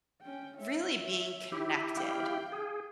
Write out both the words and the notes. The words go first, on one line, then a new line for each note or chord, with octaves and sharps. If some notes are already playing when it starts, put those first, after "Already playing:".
really being connected,
C#4 G5
C#5 E5
E4 G4
F5 G5
G#4